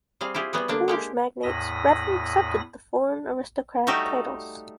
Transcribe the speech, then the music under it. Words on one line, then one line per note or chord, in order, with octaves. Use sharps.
Polish "magnates" readily accepted the foreign aristocratic titles.
G3 C4 G#4 F5
E4 F4 G4 G#4
G3 B3 F#4 G#4
D3 A#3 D4
G#3 A#3 G4
E2 A2 B5 D#6 A#6
G3 A3 D#4 F#4 G4